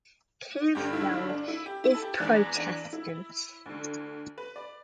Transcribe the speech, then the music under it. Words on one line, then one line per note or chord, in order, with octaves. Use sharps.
Campbell is Protestant.
G1 G2 D3 G4
E4
E4
D4
E4
G4
E4
A4
G4
E2 E3 D4
D4
E4
D2 D3
B4
D5